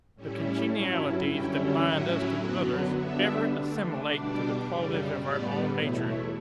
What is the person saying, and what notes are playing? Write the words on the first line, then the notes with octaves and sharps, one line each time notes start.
The congenialities that bind us to others ever assimilate to the qualities of our own nature.
A2 G3 C#4 E4
G2 F#3 C#4 E4 A5
F#2 D3 G3 C#4 E4 G5
A2 F#3 C#4 E4 F#5
F#2 D3 F#3 B3 F#5
D3 G3 B3 D4 E5
D3 A3 D4
B2 G3 D4 D5
F#2 C#3 G3
A2 G3 B3 D5
E2 B2 A3 E4 C#5
C#5